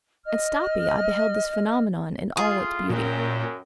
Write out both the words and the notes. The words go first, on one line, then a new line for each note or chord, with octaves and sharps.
At Stapi I beheld this phenomenon in all its beauty.
D#5 F6
A2 F4 G#4
F#2 A#2 C#4 A#4 G5